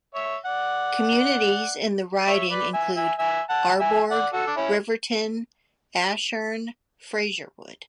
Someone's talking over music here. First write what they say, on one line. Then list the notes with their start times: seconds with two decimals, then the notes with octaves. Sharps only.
Communities in the riding include Arborg, Riverton, Ashern, Fraserwood.
0.14 C#5 E5
0.46 D5 F#5
2.27 C#5 E5
2.51 B4 D5
2.74 E5 G#5
2.96 E5 G#5
3.19 E5 G#5
3.50 F#5 A5
3.80 E5 G#5
4.11 D5 F#5
4.33 F#4 A4
4.47 D4
4.57 C#4 E4